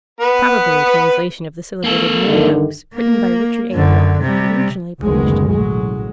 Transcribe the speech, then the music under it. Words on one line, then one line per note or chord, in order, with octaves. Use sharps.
Probably a translation of the celebrated Moon hoax, written by Richard A. Locke, and originally published in New York.
B3 B4
A#3 A4
G2 D3 D#3
A#3
F#2 D3
C3 G3
F#1 D2 D#3 G#3 B3
A1 B2 F#3 G#3